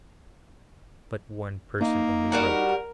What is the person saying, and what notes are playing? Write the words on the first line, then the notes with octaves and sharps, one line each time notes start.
"But one person only wrote!"
A#3 D#4
G3 F#4 A#4 F#5